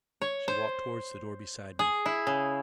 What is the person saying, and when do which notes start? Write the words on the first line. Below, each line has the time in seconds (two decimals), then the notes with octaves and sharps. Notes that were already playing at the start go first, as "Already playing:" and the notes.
She walked towards the door beside me.
0.22 C#5
0.48 C5
1.79 G#4
2.06 E4
2.27 C#3